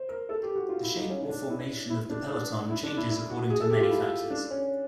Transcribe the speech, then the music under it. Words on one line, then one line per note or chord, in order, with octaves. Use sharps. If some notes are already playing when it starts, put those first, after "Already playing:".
The shape or formation of the peloton changes according to many factors.
Already playing: C5
A#4
A4
G4
F#4
F4
E4
D#4
C#4
D4
E4
E4
D4
D4
E4
D4
E4
E4
F#4
G#4
A4
G4
F4
E4
D4
C#4